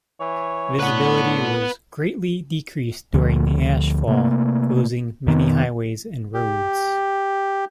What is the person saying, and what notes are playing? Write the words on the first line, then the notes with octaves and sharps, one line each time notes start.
Visibility was greatly decreased during the ash fall, closing many highways and roads.
E3 C#5
A2 D3 B4 F#5
D2 D3 F3
C3 A3 A#3
F2 D#3 B3
G4